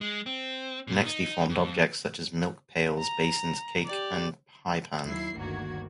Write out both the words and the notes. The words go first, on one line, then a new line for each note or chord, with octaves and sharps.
Next, he formed objects such as milk pails, basins, cake and pie pans.
G#3
C4
A#2
D#4
F2
A#5
G4 D5
D#2 F#3 E4 C7
G1 D2 D#3 A#3 F#4 G#6